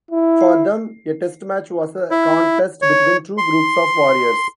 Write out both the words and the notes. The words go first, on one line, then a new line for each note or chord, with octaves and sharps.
For them, a Test match was a contest between two groups of warriors.
E4
E4
C#5
C6